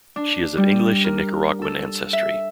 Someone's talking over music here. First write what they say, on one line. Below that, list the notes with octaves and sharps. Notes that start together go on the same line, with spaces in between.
She is of English and Nicaraguan ancestry.
D4
G3
A#4
A4
E5